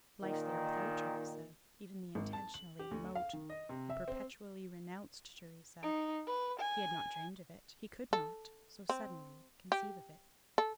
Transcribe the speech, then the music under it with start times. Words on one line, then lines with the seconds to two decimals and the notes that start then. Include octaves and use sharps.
Life there without Theresa, even the intentionally remote, the perpetually renounced Theresa--he had not dreamed of it, he could not, so suddenly, conceive of it.
0.22 A#2 D#3
2.15 G#1
2.33 A5
2.54 F#7
2.79 G4
2.91 D2
3.15 F5
3.33 D#3
3.50 D#5
3.69 C3
3.90 E5
4.08 C4
5.83 D#4
6.27 B4
6.60 G#5
8.13 A4
8.89 C4
9.72 G4
10.58 A4